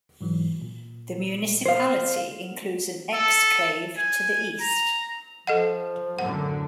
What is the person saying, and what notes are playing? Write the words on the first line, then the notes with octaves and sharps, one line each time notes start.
The municipality includes an exclave to the east.
G#2 E3 F#3
A#2
C5 F5
A4
G#5
A#5
F3 A4 D#5 F#5
F#2 A2 D3 F#5